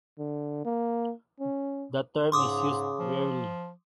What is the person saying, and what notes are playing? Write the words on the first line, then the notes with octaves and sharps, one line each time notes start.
The term is used rarely.
D3
A#3
C#4
G#2 C#3 C6 D6 D#6
F3